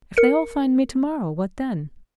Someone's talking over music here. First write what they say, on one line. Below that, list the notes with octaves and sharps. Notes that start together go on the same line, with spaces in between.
If they all find me to-morrow, what then?
A#4 C#7